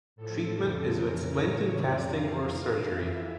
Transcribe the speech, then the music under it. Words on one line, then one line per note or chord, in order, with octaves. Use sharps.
Treatment is with splinting, casting or surgery.
A2 F3 A4
F2 C#3 F3 A4
F2 C#3 E3 A#4
A2 E3 C#5
F2 C#3 F3 D5
F2 E3 F5
E2 E3
F2 E3 E5